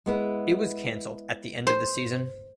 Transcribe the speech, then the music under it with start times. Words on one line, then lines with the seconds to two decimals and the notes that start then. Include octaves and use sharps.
It was cancelled at the end of the season.
0.06 G#3 B3 E4
1.67 C5